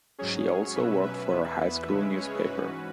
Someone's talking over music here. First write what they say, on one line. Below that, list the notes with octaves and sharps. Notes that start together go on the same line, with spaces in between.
She also worked for her high school newspaper.
G#2 F#3 C#4 G#4 C#5
G#4 C#5
B2 F#3 C#4 B4 E5
B4 E5
E2 E3 B3
C#3 G#3 C#4
G#4 C#5
G#2 E3 C#4 F#4 B4